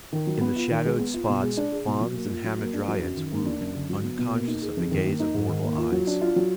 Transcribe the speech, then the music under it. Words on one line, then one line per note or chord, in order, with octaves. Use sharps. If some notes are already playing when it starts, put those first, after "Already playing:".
In the shadowed spots fauns and hamadryads wooed, unconscious of the gaze of mortal eyes.
D#3
F#3
B3
F4
D#3
G#3
B3
F4
B2
G#3
D4
G#4
B2
F#3
A#3
F4
F#3
A#3
D4
F#3
F#2
D#3
A#3
D4
F#2
D3
F#3
B3
B2
A#3
D#4
G#4
F2
D#3
A#3
D#4
G#2
D#3
A#3
F4
F#3
D4
F4
F#3